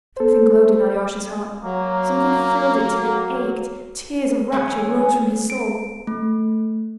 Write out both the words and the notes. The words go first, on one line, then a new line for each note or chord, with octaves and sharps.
Something glowed in Alyosha's heart, something filled it till it ached, tears of rapture rose from his soul....
A4 C5
F#3 A#3
E3 F#3 C#4 G#4
D7
A3